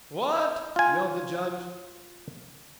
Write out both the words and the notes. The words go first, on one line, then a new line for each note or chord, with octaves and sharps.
"What!" yelled the Judge.
F4 G#5